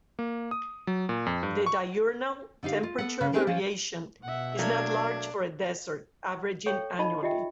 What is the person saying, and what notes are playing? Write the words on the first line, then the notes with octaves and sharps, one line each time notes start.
The diurnal temperature variation is not large for a desert, averaging annually.
A#3
D#6
F#3
A#2
F2
G2
C#6
D3 D#4 G4 F5
F4
B3 A4 F#5
C#3
C4 D4 D#4 G4 G#4 A#4
F3 C#4
B2 E5 F#5
F#3 A3 A#3 D4 G#6
A4 C#5 F5 G5 C#6
D#4 D#5 F5 A5 B5
F4 G4 D#5 E5 G5